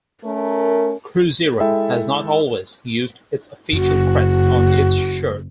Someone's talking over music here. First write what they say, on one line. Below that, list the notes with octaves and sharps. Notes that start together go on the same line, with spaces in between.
Cruzeiro has not always used its official crest on its shirt.
A3 C#4 A#4
G#3 E4 A4 E5 G5
F#1 F#2 F#4